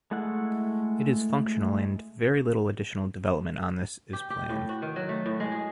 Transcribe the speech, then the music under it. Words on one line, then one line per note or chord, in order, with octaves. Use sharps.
It is functional and very little additional development on this is planned.
G#3 A3 E4 F#5
G4
G4
A2
F#4
D#3
F#3
A3
A2
G#3
G#4